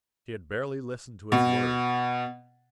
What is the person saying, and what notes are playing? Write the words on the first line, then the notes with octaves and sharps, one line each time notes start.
She had barely listened to his words.
B2